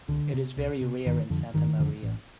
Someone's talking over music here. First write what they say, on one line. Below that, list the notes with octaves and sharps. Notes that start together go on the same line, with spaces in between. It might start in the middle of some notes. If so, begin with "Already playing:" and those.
It is very rare in Santa Maria.
C2 D3
C3
C2
C3
G1 D#3
F2 D3
G1 D#3
F2 D3
A1